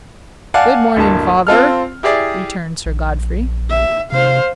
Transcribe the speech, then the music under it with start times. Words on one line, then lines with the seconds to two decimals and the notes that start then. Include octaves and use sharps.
"Good-morning, Father," returned Sir Godfrey.
0.54 D5 F5 F#5 G#5 A5
0.96 D1 G2 A#3 A5
1.47 C4 F4 A4 F6
2.03 E4 G4 G#4 D5
2.86 A#1
3.70 E5
4.12 C3 C5 F5